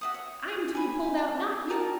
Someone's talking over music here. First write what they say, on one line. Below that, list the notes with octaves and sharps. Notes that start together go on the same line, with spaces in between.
'I'm to be pulled out, not you.
F#4 E5 D#6
C#5
G#5 B5
G4 A#4 D5 A5